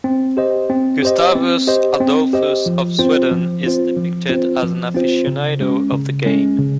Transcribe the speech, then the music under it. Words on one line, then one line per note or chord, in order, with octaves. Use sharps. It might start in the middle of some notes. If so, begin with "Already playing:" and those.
Gustavus Adolphus of Sweden is depicted as an aficionado of the game.
C4
G4 C5 D#5
C4
G4 C5 D#5
C4
G4 C5 D#5
C4
G4 C5 D#5
F3
C4 F4 C5
F3
C4 F4 C5
F3
C4 F4 C5
F3
C4 F4 C5
C#3
G#3 C#4
C#3
G#3 C#4
C#3